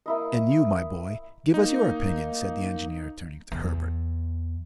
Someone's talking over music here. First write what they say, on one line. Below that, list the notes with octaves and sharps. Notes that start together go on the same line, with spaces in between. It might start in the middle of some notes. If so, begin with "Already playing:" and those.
"And you, my boy, give us your opinion," said the engineer, turning to Herbert.
A#3 E4 D#5
A#3 D#4
E2